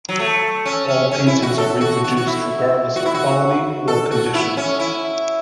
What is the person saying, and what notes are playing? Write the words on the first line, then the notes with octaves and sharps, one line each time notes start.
All paintings are reproduced regardless of quality or condition.
F#3
A3
C#4
C#4
C#4
E4
F#4
A4
F#4
F#4
F#4
E4
F#4
E4
F#4
A4
F#4
E4
C#4
E4